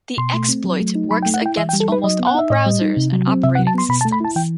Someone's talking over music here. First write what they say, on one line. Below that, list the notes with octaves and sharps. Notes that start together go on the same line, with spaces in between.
The exploit works against almost all browsers and operating systems.
B2 C6
A3
C4
F#3
A3
D#4
F#3 B5
G5
A3
F#5
E4 G5
E3 E5
G5
G3
A4
D#4 B4
F#3 D#5
B3
F#5
D#4 E5
A2 D#5
G3
D#4
C3
F#3
C4
C3 E5
F#5
F#3
A5
B3 C6
B2 B5
A5
A3
B5
E4 A5
E3 G5